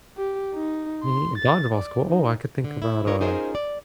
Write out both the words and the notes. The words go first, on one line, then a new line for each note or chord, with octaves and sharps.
Me uh, dodgeball's cool Oh, I could think about, uh
G4
D#4
C6
A6
D5
D#4
D3
E4
D4 F4 A#4 C#5
C#4 D#4 F4 G#4 A#4 C5
D5